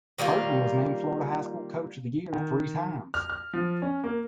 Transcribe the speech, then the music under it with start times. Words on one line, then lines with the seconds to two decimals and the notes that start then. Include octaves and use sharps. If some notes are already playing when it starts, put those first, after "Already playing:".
Bertman was named Florida High School Coach of the Year three times.
0.18 D#3 G3 A#3 F4
2.33 D#3
3.14 F6
3.30 F6
3.53 F3
3.82 C#4
4.04 A#3